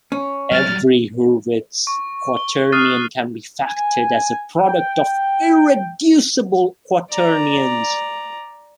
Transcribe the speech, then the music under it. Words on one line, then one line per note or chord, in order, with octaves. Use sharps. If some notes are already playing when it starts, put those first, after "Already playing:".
Every Hurwitz quaternion can be factored as a product of irreducible quaternions.
C#4
F#3 G3 F6 A6
C#6
G7
D#6 F6 F#6 A6 C7 D#7
G#5
G5
D5 A#5